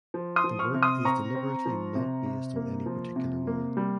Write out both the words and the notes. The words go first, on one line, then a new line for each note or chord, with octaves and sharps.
The work is deliberately not based on any particular woman.
F3
C6 D#6
F3
C#6 F6
C3
C6 D#6
C4 A#5 C#6
C4
F3
C3
C3
A#3
F3
C3
A#3
G3